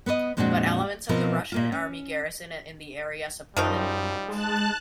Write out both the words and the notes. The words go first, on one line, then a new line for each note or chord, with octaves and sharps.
But elements of the Russian army garrison in the area supported the Reds.
B3 B4 C5 D#5
F2 A#2 G#3 C4 D4 F#4
B2 F3 C4 D#4 F4 A#4
A#2 A#3 F4
C#4
F#2 D#3 F3 G3 D#4
G#3 A5 F#6